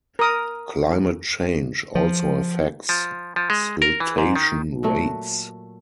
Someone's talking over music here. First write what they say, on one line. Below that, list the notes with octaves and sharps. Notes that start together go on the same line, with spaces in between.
Climate change also affects siltation rates.
A#4 D#6
F3
F3
F3
G#3
A#4
E3
G#2
D#3
A#2 F#3 A3 F#4